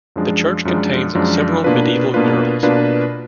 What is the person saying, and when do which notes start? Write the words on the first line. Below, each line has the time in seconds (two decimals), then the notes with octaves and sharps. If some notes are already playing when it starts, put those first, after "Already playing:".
The church contains several medieval murals.
0.16 F#2 F3 G#3 D4
0.65 F#2 F3 G#3 D4
1.15 F#2 F3 G#3 D4
1.64 B2 A#3 D4 F4 B4
2.14 B2 A#3 D4 F4 B4
2.63 B2 A#3 D4 F4 B4